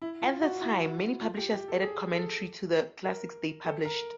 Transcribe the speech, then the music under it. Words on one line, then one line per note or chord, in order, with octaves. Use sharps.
At the time many publishers added commentary to the classics they published.
E4
F4
F#4
E4
F4
G4
G4
A4
G#4
A4
A#4
A4
A#4